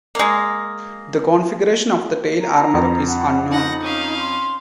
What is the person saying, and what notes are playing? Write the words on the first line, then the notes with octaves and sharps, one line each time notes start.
The configuration of the tail armour is unknown.
G#3 A#3
A#5
F2
F#5
D#4 F#5 A#6
C#4 F5
C6